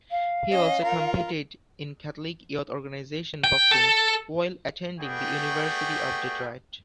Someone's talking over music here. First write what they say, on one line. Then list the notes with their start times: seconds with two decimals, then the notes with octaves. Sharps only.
He also competed in Catholic Youth Organization boxing while attending the University of Detroit.
0.11 F5
0.51 C#4 D#5
0.83 F4 A#4
3.44 G5
3.71 A4
5.00 G3 A3 B3 F#4 G#4 G5